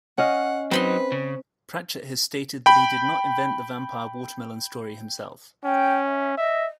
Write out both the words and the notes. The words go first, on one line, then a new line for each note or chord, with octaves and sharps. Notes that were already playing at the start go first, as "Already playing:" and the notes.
Pratchett has stated that he did not invent the vampire watermelon story himself.
C#4 D#5 F5 F#5
F#3 C4 D#4 B4 B5 C6
C#3
G5 B5
C#4 G5
E5
D#5 E5